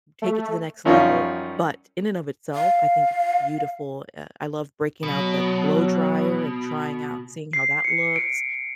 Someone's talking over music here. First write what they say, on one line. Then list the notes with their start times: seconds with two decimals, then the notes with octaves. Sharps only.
take it to the next level, but in and of itself, I think it's beautiful. I I love breaking out the blow dryer and trying out seeing how that looks.
0.22 A3
0.85 F#2 F3 G3 C#4 D#4 F4
2.53 F5
5.03 B2 F#3
7.53 C7
7.84 C#7
8.16 D7